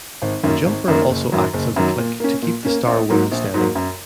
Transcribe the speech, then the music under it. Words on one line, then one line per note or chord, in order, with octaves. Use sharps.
The jumper also acts as a click to keep the star wheel steady.
G#1
F#2 D#3 A#3
G#1
F#2 D#3 A#3
F#1
F#2 D#3 F#3
F#1
F#2 D#3 F#3
A#2
A#3 C#4
A#2
A#3 C#4
A#1
G#2 F#3 A#3
A#1
G#2 F#3 A#3
F#2